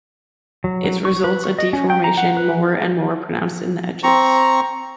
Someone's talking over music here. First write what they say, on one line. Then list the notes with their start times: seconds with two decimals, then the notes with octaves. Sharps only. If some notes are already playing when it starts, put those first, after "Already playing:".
It results a deformation more and more pronounced in the edges.
0.64 F#3
0.84 F#3
1.05 C#6
1.24 B4
1.44 C#6
1.59 D#5
1.73 C#4
1.90 G5
2.04 A#5
2.17 F#5
2.37 B4
4.03 C4 A#5 C#6